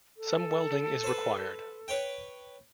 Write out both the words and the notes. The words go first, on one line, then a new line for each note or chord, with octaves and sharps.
Some welding is required.
A4
B4 C5
B4 C#5 G5